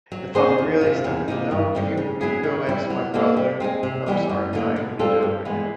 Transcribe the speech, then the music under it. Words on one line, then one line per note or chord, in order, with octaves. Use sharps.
if I'm really stuck with, "Oh, can you can you go ask my brother? I'm sorry, I'm not able to do it right now."
F#3
B3 D#4 G#4 C5
E2
F3
C3
E2
C3 F3 A#3 D#4
G2
D3 G3 C4 D#4
C#3
F#3 B3 E4 G#4
D#3
G3 C4 E4
F#3
A#3 D4 F#4 A4
G3
C4 D#4 G#4
C3
E3 G3 B3 D#4
F#2
D3 F#3 A#3 D#4
B2
G3 C4 F4 A4
G2
E3 G#3 B3